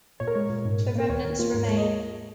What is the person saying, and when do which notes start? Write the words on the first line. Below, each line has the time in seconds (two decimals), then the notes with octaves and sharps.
The remnants remain.
0.20 A#2 C#5
0.27 A#4
0.35 G#3 C#5
0.50 A#2
0.65 G#2
0.81 G#2
0.95 A#3 A#4
1.10 D#2 C#5
1.25 D#2 A#4
1.39 A#3 F4
1.54 G#2 A#4
1.65 C#5
1.69 G#3
1.77 D#5